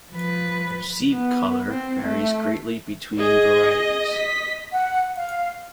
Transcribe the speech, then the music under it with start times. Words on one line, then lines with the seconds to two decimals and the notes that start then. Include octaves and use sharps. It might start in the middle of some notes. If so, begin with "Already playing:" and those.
Seed color varies greatly between varieties.
0.12 F3 B4
1.11 B3
1.70 C4
2.03 A3
3.19 G#4 D#5
4.13 B6
4.72 F#5
5.17 F5